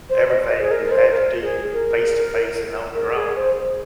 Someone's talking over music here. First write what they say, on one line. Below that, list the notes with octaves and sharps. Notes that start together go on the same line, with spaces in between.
everything you had to do face-to-face and on your own.
C5
C5
D#5
C5
D#5
G#4
A#4
A#4
C5
A#4
G#4
A#4
A#4
G#4
C5